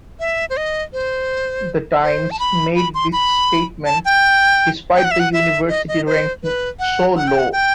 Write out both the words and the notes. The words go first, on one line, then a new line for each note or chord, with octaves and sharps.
The Times made this statement despite the University ranking so low.
E5
C5
D#5
C5
C5
A5
B5
B5
C6
B5
A5
G5
G5
F#5
E5
F#5
E5
D#5
D#5
C5
B4
F#5
F#5
G5
F#5
G5